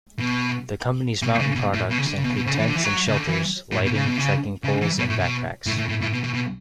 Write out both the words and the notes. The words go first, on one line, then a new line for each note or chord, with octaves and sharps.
The company's mountain products include tents and shelters, lighting, trekking poles and backpacks.
B2
B2
C#3
B2
A2
B2
C#3
D3
C#3
B2
B2
C#3
E3
D3
E3
F#3
C#3
D3
E3
A2
B2
C#3
B2
C#3
C#3
E3
B2
A2
B2
A2
A2
A2
A2
B2
B2
B2